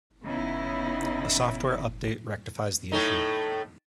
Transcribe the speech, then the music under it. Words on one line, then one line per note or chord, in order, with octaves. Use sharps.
A software update rectifies the issue.
C#3 B3 D#4 E4
A2 A3 D#4